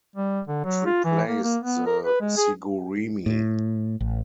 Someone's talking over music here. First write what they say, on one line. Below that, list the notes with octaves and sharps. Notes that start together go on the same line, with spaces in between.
It replaced the Sigurimi.
G3
D3
F#3
F4
E3
A#3
A#3
B3
A#4
B4
G#3
G#4
A2
A1